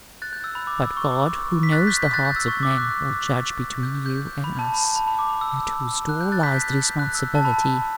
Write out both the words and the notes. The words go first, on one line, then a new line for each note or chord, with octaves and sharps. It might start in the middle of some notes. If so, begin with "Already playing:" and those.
But God, who knows the hearts of men, will judge between you and us, at whose door lies the responsibility.
F#6 A6
G6
E6
B5
D6
E6
C#6
D6
C#6
B6
F#6 A6
G6 B6
G6 B6
F#6 A6
G6
E6
C#6
D6
F#6
G6
G6
B5
A5
B5
A5
B5
B5
D6
E6
F#6
G6
F#6 A6
G6 B6
G6
G6
F#6
E6
A5
B5